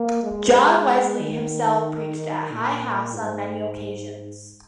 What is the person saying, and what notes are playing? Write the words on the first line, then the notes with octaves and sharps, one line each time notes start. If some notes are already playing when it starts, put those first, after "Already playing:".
John Wesley himself preached at High House on many occasions.
Already playing: A#3
G#3
D#3
A#2
G#2